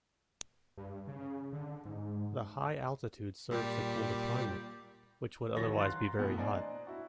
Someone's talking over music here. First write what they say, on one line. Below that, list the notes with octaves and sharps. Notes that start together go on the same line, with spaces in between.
The high altitude serves to cool the climate, which would otherwise be very hot.
G2
C#3
D3
G#2
A#2 G3 G4
D#2 E3 F#3 C#5 A6 A#6
F5 A#5 C6 F#6 A6
B2 E3 A3 B3
D4 C5 D5 D#5 G#5 A#5
E4 F#4